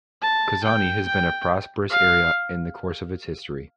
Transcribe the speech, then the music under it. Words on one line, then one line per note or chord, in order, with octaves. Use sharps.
Kozani has been a prosperous area in the course of its history.
A5
G5
G5
F5